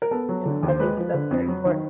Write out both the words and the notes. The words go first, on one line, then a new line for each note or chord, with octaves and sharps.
You know, I think that that's very important.
A#4
B3 A4
F#3
D3
D#2
C5
G#3 B4
F3
D3
F2
F#3
D#3